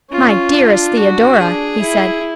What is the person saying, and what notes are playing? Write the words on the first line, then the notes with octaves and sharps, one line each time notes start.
"My dearest Theodora," he said.
C#4 F4
D4
F#4
D4 G#4
E4